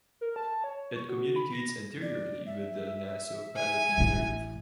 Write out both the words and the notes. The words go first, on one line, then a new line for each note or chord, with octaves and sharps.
It communicates anteriorly with the nasopalatine nerve.
A#4
A5
C#5
C#6
F#4
B5
A#6
D5
E5
G#5
A1 A2